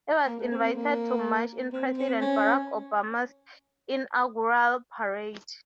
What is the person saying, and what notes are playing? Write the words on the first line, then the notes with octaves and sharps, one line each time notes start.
It was invited to march in President Barack Obama's inaugural parade.
A#3
A3
C4
C4
A#3
C4
C4
C#4